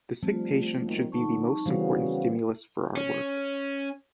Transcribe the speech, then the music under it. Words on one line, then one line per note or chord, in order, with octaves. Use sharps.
The sick patient should be the most important stimulus for our work.
F3 G3 A3 C4 F4
F#2 D#3 A#3
D3 D#4 A5 C#6
C#3 E3 G3 B3 C#4 F#4 C5 F5
C#4